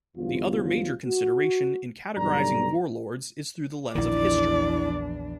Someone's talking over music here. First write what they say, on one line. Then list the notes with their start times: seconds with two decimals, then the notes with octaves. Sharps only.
The other major consideration in categorizing warlords is through the lens of history.
0.17 G1 E2 C3 F#3 F4
1.06 F#4
2.17 B1 G2 D3 D5 A#5
3.95 A#1 E2 D#3 D4 E4 D5